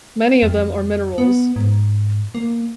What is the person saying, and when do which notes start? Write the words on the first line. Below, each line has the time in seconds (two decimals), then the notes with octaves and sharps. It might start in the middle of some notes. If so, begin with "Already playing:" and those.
Many of them are minerals.
0.43 F2
1.18 B3
1.56 G#2
2.35 A#3